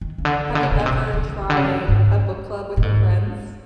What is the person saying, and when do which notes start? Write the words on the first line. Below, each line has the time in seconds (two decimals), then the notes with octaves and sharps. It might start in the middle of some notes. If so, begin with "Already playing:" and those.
Have you ever tried a book club with your friends?
0.01 D#3
0.18 C#3
0.25 D3
0.49 C#3
0.55 D3
0.63 C#3
0.72 C3
0.79 B2
0.86 C3
0.95 C#3
1.13 D3
1.19 C#3
1.42 C#3
1.50 D3
1.57 C#3
1.65 G2
1.88 G#2
2.77 A2
2.83 G#2